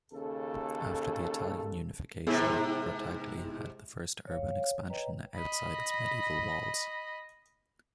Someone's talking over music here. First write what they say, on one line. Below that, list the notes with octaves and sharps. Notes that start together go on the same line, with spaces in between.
After the Italian unification Grottaglie had the first urban expansion outside its Medieval walls.
D#2 C#3 A4
G#2 C3 B3 E4 G#4
C#5 F5
B4 C#5 D#5 G5 A#5
D#5 B5